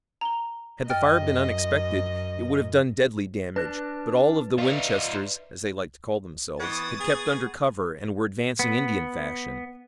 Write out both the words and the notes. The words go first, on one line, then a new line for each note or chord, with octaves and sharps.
Had the fire been unexpected it would have done deadly damage, but all of the Winchesters, as they liked to call themselves, had kept under cover, and were advancing Indian fashion.
A#5 G7
F#2 D#5 G5 F6 A6
D4 B4 F#6
D#4 F4 D5 E5 C#6
E3 B3 C#6 D#6 G#6 A6
G#4
B3